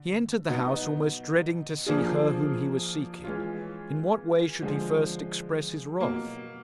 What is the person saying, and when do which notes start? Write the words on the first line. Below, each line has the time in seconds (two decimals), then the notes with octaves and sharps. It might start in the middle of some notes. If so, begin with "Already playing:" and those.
He entered the house almost dreading to see her whom he was seeking. In what way should he first express his wrath?
Already playing: D3
0.49 B2 F#3 B3 D#4
1.86 F3 A#3 D4 F4 G#4
3.24 E3 G#3 C#4 F4
4.62 D3 F3 G#3
6.00 B2 F#3 A#3